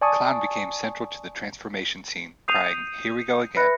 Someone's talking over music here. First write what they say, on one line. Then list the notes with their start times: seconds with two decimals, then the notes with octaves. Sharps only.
Clown became central to the transformation scene, crying Here we are again!
0.01 D5 G#5 A5 C#6 D#6
2.48 D#6 G6 C7 D#7 F7
3.56 B4 E5 B5 F#6 A#6 C#7